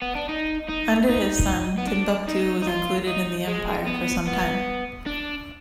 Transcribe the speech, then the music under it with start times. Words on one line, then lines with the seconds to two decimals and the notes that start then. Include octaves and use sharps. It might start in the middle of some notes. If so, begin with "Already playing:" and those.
Under his son, Timbuktu was included in the empire for some time.
0.02 B3
0.15 D4
0.29 D#4
0.69 D#4
1.09 D#4
1.78 B3
1.88 D4
2.28 D#4
2.62 D#4
2.67 F4
3.07 D#4
3.48 G#3
3.87 B3
4.27 B3
5.06 D4